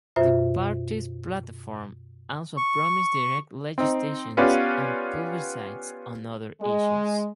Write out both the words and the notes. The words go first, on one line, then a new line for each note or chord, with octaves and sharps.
The party's platform also promised direct legislation and plebiscites on other issues.
F#2 B2 F4 C5 E5
C#6
C4 D#4
B3 C#4 F4 G4 B4 D5
G#3